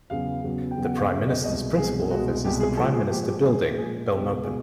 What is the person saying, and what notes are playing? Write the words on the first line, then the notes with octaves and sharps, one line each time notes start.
The Prime Minister's principal office is the Prime Minister Building, Belmopan.
E2 C#3 F#3 B3 F5
E2 C#3 F#3 B3
G5
E2 C#3 F#3 B3
F#5
F5
E2 C#3 F#3 B3 E5
D#5
C2 B2 G#3 D#5
C2 B2 G#3 G#4
C2 B2 G#3 F#4
C2 B2 G#3 G4
G#4
A#2 F3 G#3 A4
G#4
A#2 F3 G#3 G4
G4
A#2 F3 G#3 G#4
A#2 F3 G#3 G#4
C#2 B2 G#3 G4
B2 G#3 G#4